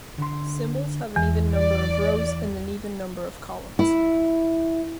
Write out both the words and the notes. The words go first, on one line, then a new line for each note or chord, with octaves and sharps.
Symbols have an even number of rows and an even number of columns.
D3 C6
E2 E3
D5
E4